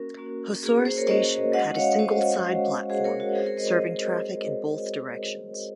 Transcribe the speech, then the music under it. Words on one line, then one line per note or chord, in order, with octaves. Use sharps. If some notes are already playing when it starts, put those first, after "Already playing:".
Hosoura Station had a single side platform serving traffic in both directions.
Already playing: A#3 C#4 F#4 A#4
A#3 C#4 F#4
A#3 C#4 F#4 G#4
G#4 C5
A#4 C#5
A#3 C#4 F#4 C5 D#5
G#3 C#4 F#4 D#5 F#5
C#5 F5
G#3 C#4 F#4 C5 D#5
G#3 C#4 F#4
G#3 C#4 F#4 G#4 C5
A#4 C#5
F#4 A#4
C#5
G#3 C4 F#4 G#4 C5
A#4 C#5
C5 D#5
C5 D#5